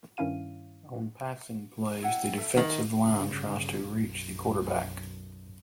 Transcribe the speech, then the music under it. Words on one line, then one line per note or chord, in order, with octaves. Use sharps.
On passing plays, the defensive line tries to reach the quarterback.
G2 D#3 C#4 E4 F5 D#7
E4 F#5 G5
A4 E5
D#3
G1 C#3
B1 F#2